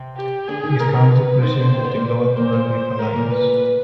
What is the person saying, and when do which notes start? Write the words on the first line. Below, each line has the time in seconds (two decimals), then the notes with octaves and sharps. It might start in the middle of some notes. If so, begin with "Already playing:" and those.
He is currently President of the Global Coral Reef Alliance.
Already playing: C3 C4
0.16 G4
0.48 D3 D4 G#4
0.63 D#3 D#4
0.79 D3 D4 A#4
1.12 B4
1.42 D#3 D#4 C5
1.58 D3 D4
1.73 C3 C4
1.84 B2 B3
1.95 A#2 A#3
2.06 B4
2.36 A#2 A#3 C5
2.52 A#2 A#3
2.69 C5
2.99 A2 A3 A#4
3.15 A#2 A#3
3.31 B4